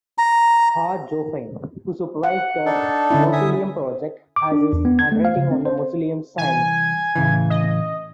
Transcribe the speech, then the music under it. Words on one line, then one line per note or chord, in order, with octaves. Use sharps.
Hua Guofeng, who supervised the mausoleum project, has his handwriting on the mausoleum's sign.
A#5
F#5
D4 D#4 A4
D3 C#4 E4
E5 G#5 D#6
D6
D4
E2
B3
G#6
A3
F5
C#3
C4
C5
C2 E3 G#5
A2 C#3 E3
D#5